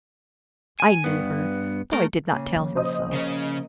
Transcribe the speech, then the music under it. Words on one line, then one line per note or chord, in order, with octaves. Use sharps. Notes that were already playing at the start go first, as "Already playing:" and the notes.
I knew her, though I did not tell him so.
G#5
G2 B3
A3 A#4
A#2 C#3
F3
C5 D#5 D#6
C#3 C#4 A#4